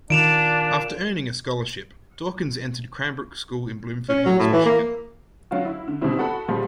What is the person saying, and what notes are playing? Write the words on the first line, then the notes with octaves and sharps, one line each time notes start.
After earning a scholarship, Dawkins entered Cranbrook School in Bloomfield Hills, Michigan.
A#2 D#3 D4 D7 E7 F7
C#4
F#3
A2
E3
A#3
D3 F#3 F4 F#4
E4
D3
B2 D3 D#3 G3 C4 E4
F#4 A4 F#5 B5
A#2 F3 G3 G#3